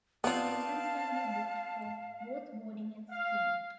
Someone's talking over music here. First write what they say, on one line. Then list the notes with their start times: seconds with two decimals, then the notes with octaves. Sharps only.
Lessons can be booked for both boarding and skiing.
0.24 B3 C4 D4 D#4 F4 F5 A5
3.10 F5